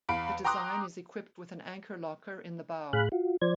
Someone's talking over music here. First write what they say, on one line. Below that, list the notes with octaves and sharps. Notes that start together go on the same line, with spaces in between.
The design is equipped with an anchor locker in the bow.
E2 F5 B5 D7
G5 A#5 C6 D6 D#6 F#6
A2 G#4 F5 B5 F#6
F4 F#4
F3 C5 D5 G#6